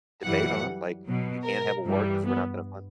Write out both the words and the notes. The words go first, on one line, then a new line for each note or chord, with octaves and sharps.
debate on? Like, you can't have a war 'cause we're not gonna fun
F#2 E3 G3 F#5
B2 F#3
A#4
G2 E3 G3
B3